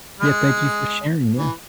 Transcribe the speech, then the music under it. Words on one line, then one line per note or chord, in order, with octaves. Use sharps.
Yeah, thank you for sharing, yeah.
G#3
E3